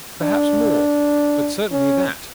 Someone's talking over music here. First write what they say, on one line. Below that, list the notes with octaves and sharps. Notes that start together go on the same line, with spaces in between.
Perhaps more, but certainly that.'
D4
C#4